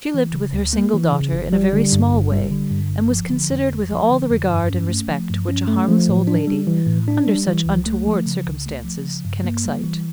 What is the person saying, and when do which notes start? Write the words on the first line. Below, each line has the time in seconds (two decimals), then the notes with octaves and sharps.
She lived with her single daughter in a very small way, and was considered with all the regard and respect which a harmless old lady, under such untoward circumstances, can excite.
0.14 E3
0.34 C#3
0.53 D2
0.73 A#3
0.94 E3
1.13 C#3
1.32 G1
1.53 G3
1.73 D3
1.92 G2
2.12 G1
2.32 G3
2.51 D3
2.71 G2
2.91 G1
3.10 F3
3.31 D3
3.50 F2
3.70 G1
3.91 F3
4.10 D3
4.30 F2
4.50 G2
4.70 C#4
4.89 A3
5.09 F3
5.29 G2
5.49 C#4
5.68 A3
5.88 F3
6.08 A2
6.27 D4
6.48 G3
6.67 E3
6.87 A2
7.08 D4
7.27 G3
7.47 E3
7.66 C#2
7.86 A3
8.07 F3
8.26 C#3
8.46 C#2
8.66 A3
8.85 F3
9.05 C#3
9.25 G2
9.44 A#3
9.65 G3
9.84 E3